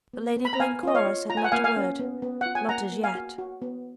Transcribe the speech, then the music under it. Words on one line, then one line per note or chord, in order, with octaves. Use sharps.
But Lady Glencora said not a word,--not as yet.
B3
B3
B5
A#5
B3 F5 G#5
F4 D#5
C#5 F5
F4
F4 A#5
G#5
F#5
A#3 F5 G#5
F5 G#5
C#4
B3
B3
F4 F#5
G#5
A#3 F#5 A#5
A#3
F5 G#5
F#4
F#4
B3